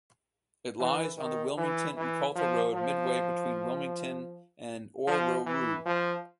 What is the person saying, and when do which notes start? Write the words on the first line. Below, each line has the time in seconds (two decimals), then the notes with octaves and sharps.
It lies on the Wilmington–Ucolta Road midway between Wilmington and Orroroo.
0.79 E3
1.18 D#3
1.57 E3
1.97 E3
2.35 F3
2.74 F3
5.07 F3
5.46 E3
5.86 F3